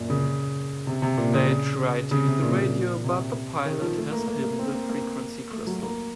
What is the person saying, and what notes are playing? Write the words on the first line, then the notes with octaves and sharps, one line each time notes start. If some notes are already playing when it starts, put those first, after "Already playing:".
They try to use the radio, but the pilot has hidden the frequency crystal.
Already playing: F#2 A#2
C#3
C3
C3
A#2
C#3
C#3
C3
A#2
A#2
C3
D#3
F3
A3
A#3
A#3
A#3
C4
A#3
A#3
A3
F#3
A#3